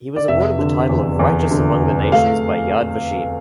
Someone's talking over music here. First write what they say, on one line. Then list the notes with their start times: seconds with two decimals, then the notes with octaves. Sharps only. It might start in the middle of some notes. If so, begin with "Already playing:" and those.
He was awarded the title of Righteous Among the Nations by Yad Vashem.
0.16 D5
0.28 F1 E5
0.59 D3
0.89 E2
1.19 E2
1.51 D3
1.81 F1
2.12 A3 F5